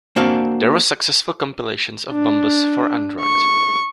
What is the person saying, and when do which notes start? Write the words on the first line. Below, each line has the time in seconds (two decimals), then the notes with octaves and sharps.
There was successful compilations of Bombus for Android.
0.16 A#3 C4 D4 F#4 F5
2.12 D4
3.21 C#6